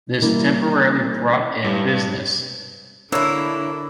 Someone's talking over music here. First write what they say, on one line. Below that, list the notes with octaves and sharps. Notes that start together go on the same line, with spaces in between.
This temporarily brought in business.
E3 G3 A#3 E4
G2
D3 A#3 D4 E4 C#5 E6